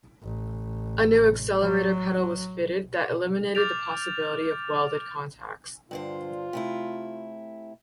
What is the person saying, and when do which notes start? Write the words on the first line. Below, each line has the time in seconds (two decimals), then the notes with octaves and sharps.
A new accelerator pedal was fitted that eliminated the possibility of welded contacts.
0.22 A1
1.59 F#3
3.55 D6 F6 G6 A6 D7 F7
5.91 G2 D3 F4 C5
6.53 C3 A3 E4